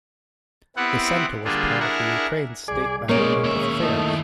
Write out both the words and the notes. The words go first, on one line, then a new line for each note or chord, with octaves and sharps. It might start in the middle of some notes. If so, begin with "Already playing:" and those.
The center was part of the Ukraine's State Management of Affairs.
B3 C4 E4 G4 F#5
D3 G3 A#3 D4 F4 G#4
D4 E4 G#4 A#4 F#5 A#5
C2 G#4 D5
B2 G#3 A#3 C#4 D#4 C#5 D5
D#2 E5
G2 A3 D#4 E4